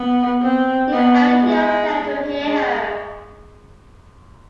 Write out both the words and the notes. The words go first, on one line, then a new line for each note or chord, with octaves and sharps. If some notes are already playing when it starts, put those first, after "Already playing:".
You owe it to yourself to hear her.
Already playing: B3
C4
B3
G#3
G#3